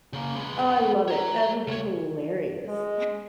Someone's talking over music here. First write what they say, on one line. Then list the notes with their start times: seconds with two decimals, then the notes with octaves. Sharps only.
Oh, I love it, that would be hilarious.
0.13 C#3 A#3
0.35 G#3 B3
1.08 C#5 A#5
1.67 C#2 C#5
2.68 G#3